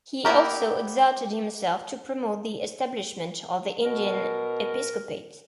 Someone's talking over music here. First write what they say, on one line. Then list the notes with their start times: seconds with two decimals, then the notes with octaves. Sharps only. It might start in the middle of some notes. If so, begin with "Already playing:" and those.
He also exerted himself to promote the establishment of the Indian episcopate.
0.25 A#3 B3 E4 G4 A#4
3.84 B2 A#4